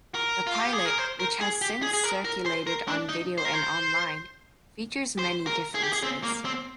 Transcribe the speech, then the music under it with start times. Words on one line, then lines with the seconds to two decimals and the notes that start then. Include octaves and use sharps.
The pilot, which has since circulated on video and online, features many differences.
0.15 A#4
0.47 F4
0.60 G4
0.73 G#4
0.85 A#4
0.98 C5
1.20 A#4
1.41 G#4
1.62 G4
1.82 G#4
1.93 G#4
2.04 A#4
2.25 A#4
2.46 C5
2.67 A#4
2.88 D4
3.09 D#4
3.38 C5
3.45 A#4
3.53 C5
5.19 C5
5.47 A#4
5.75 G#4
5.83 G4
5.93 G#4
6.03 C4
6.24 A#3
6.45 C4